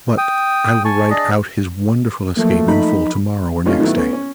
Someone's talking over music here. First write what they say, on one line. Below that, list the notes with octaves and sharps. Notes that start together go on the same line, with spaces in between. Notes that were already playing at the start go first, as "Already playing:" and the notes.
But I will write out his wonderful escape in full to-morrow or next day.
G5 D#6
G#5 A5 C#6
D4 G#4 D5 D#5
F3 F#3 A3 A#3
D#4 B5
A2 C3 C#4 D#4 F4
D#3 F#3 A3 B3 E4
A3 B3 C#4
C#4